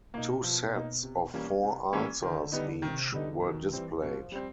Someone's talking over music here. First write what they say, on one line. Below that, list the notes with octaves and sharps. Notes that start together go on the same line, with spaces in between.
Two sets of four answers each were displayed.
B2 A#3 D#4
F3
A#3 D#4
C3
E3 G3 A#3 C#4
C3
E3 G3 A#3 C#4
D3 D#3
G3 B3 D#4
C3 D#3
D3 G3 B3 D#4
B2 D#3
E3 G3 C4
B2 F3
G3 C4